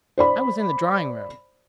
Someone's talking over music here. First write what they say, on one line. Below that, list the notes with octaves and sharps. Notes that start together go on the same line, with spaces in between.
"I was in the drawing-room."
C5 D5 B5